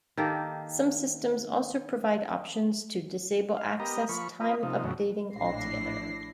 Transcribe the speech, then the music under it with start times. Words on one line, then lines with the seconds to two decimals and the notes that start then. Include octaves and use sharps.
Some systems also provide options to disable access time updating altogether.
0.17 D#3 A#3 G4 A4
3.57 F5
3.80 B3 G4 A#4 D#5 A#5
4.09 F3 B5 C#6
4.41 F4 A#4 B4 D#5
4.63 C3 F3 D#4
4.84 E2 A2 C#3 F#3
5.35 A#1 A2 D4 E4 A#6 C7